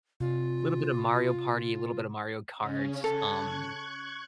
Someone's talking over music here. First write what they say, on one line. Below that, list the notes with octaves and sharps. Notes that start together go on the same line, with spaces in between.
little bit of Mario Party, little bit of Mario Karts, um
C3 F4
C#3 C#4
A4 C#6 F#6 G#6